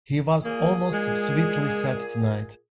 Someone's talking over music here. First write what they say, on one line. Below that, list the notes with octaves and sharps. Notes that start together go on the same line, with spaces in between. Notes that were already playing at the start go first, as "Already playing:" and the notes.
He was almost sweetly sad tonight.
A#2 A#3 G#4
G#3